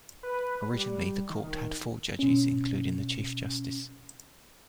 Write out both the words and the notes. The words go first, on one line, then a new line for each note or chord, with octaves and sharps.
Originally, the Court had four judges, including the Chief Justice.
B4
G3
D#3
B2 C#4